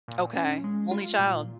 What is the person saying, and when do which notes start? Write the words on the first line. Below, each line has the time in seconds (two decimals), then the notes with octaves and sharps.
Okay. Only child.
0.08 A#2
0.36 C#4
0.64 G#3
0.91 F4
1.19 A#2